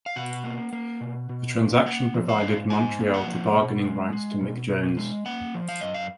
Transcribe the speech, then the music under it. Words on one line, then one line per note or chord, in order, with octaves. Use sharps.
The transaction provided Montreal the bargaining rights to Mick Jones.
F5
B2 F#5
A#3
A#3
B2
B2
A#3
A#3 F#5
F3
F5
G#2
G#2 G#5
A#3
F#5
F3
B2
G#3
G#3
B2
B2
G#3
A#3 F#5
F3
F5
F#2 D#5
F5